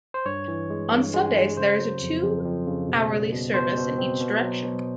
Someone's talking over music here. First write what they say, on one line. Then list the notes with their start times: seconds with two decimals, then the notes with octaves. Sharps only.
On Sundays, there is a two-hourly service in each direction.
0.14 C5
0.26 G2 C#5
0.48 E3
0.70 G#3
0.92 G2
1.14 G#3
1.35 G#3
1.57 C#3 C5
1.79 F#3
2.01 F2
2.23 F2
2.45 F2
2.67 C#3
2.89 B2
3.10 G3
3.32 B2
3.54 B2 C5
3.76 B2
3.98 C4
4.21 B2
4.42 F#3
4.64 B2